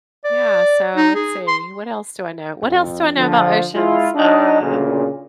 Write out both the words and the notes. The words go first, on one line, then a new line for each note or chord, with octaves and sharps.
Yeah. So, let's see, what else do I know? What else do I know about oceans? Uh,
D5
D#4
G#4
C6
F2
D3 F3
G#3 E4 F4
D4 D#4 C#5 D#5
D2 A#2 C#3